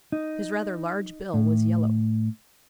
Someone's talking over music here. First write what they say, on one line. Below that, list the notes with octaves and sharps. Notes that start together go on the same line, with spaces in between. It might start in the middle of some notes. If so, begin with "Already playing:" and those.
His rather large bill was yellow.
D#4
A2